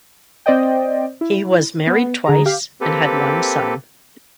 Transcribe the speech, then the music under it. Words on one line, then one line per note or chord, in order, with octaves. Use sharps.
He was married twice and had one son.
C4 C5 D5 D#5 G5
E4
B3
D3 G#4 A#5
G4 F5
A#3 C4 G4 A4 B4